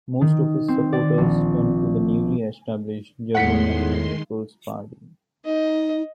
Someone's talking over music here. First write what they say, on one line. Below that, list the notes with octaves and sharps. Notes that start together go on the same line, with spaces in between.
Most of its supporters turned to the newly established German National People's Party.
D#3
C4
D5
A#1
E2 A2 D#3 G#3 F#5 C6 B6 C#7
D#4 D#5